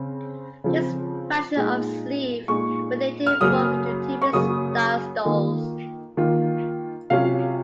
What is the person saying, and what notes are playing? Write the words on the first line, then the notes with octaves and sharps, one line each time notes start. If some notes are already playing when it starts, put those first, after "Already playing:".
This fashion of sleeve would later evolve into Tippet-style stoles.
Already playing: C#3 C4
C#3 F3 C4
A#2 G#3 D#4
A#2 G#3 D#4 C#6
F6
F#2 C#3 F#3 A#3 D#6
C#6
F#2 C#3 F#3 A#3 D#6
D#3 A#3 F4
D#3 A#3 F4
C3 F#3 C#4 F4 F5